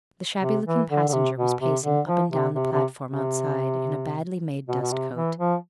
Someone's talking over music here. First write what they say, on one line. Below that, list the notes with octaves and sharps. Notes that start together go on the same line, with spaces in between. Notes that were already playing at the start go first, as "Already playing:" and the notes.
The shabby-looking passenger was pacing up and down the platform outside in a badly-made dust-coat.
C3
E3
D3
D3
C3
B2
C3
D3
F3
C3
C3
C3
C3
B2
B2
C3
E3
F3